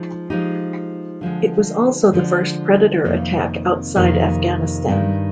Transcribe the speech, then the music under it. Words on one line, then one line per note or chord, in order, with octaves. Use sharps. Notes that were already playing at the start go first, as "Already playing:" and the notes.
It was also the first Predator attack outside Afghanistan.
Already playing: F3 G#3 D#4
F3 G#3 D#4 G4
D3 F3 G#3
D3 F3 G#3
F2 C3 D#3 A#3
F2 C3 D#3 A#3
G2 D#3 G3